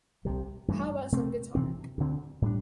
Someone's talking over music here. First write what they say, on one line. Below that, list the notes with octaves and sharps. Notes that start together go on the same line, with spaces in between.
How about some guitar?
C2 C3 G3
G2 E3 A3
C3 A3 C4
C3 E3 C4
D2 D3 C4
A2 G3 D4